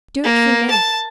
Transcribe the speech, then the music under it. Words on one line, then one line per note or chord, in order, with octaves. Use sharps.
Do it for me....
A#3
A5